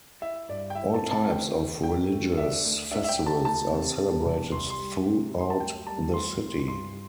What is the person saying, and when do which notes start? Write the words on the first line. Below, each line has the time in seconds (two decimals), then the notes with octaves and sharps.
All types of religious festivals are celebrated throughout the city.
0.21 E4 E5
0.49 G2 D5
0.70 G5
0.75 E4 E5
0.94 A5
1.02 C4
1.11 A5
1.29 D3 G5
1.57 A3
1.83 A3 G5
2.11 A3
2.37 D4 E5
2.64 D2
2.91 D4 E5
3.04 E5
3.09 G5
3.17 D3
3.26 A5
3.45 D2 A5
3.72 C3
3.99 G3
4.25 E1
4.52 C2 C6
4.70 C6
4.79 G3
5.06 C3
5.33 G3
5.41 C6
5.50 A5
5.60 D2 G5
5.86 G3 A5
6.14 D2 C6
6.40 C3
6.68 G2 C6